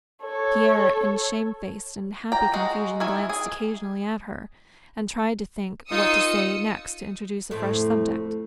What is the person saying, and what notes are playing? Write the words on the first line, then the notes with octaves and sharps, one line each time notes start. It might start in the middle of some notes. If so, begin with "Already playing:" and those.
Pierre in shamefaced and happy confusion glanced occasionally at her, and tried to think what to say next to introduce a fresh subject.
A4 C#5
G5 A#5
G#3 F#4
D#3 E4 G#5
G#4
D#3 D#4 F4 D#6 E6 C#7
F2 A2 A3